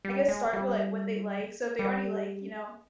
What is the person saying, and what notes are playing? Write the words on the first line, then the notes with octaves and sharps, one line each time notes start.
I guess, start with, like, what they like. So if they already like, you know,
G3
G#3
G3
G3